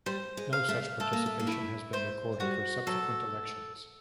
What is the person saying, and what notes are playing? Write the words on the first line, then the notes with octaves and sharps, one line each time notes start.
No such participation has been recorded for subsequent elections.
G3 C5
G#3
F5
A3
A3 A4
A#3
A3
A#3
A3 E4
A3 C5
G3 F#4
F#3 A4